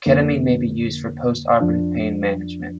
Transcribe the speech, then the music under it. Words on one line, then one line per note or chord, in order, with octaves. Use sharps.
Ketamine may be used for postoperative pain management.
F2 D3 A#3
F2 F3 D4